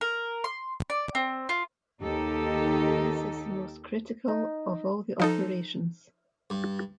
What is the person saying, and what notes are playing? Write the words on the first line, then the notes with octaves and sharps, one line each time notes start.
This is the most critical of all the operations.
A#4
C6
D5
C4
F4
D#2 D#3 D#4 G4 A4
D#4
F3 D#4 A4
G2